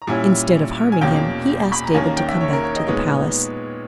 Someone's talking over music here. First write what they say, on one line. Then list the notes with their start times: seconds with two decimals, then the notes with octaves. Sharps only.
Instead of harming him, he asked David to come back to the palace.
0.02 A#5
0.07 A#2 G3 C#4 E4 G#5
0.92 G#5
1.01 E2 B2 A#3 C#4 G5
1.72 B5
1.84 A#5
1.94 D#2 D#3 A#3 C#4 G#5
2.05 A#5
2.17 G5
2.28 E5
2.41 C#5
2.53 A#4
2.63 C#5
2.76 D#5
2.87 A#2 G#3 B3 D#4 C#5